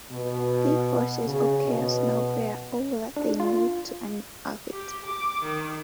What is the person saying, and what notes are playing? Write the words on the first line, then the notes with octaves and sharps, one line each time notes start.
The forces of Chaos now bear all that they need to unearth it.
B2
C#3
B2
D4
F4
G4
D6
D#3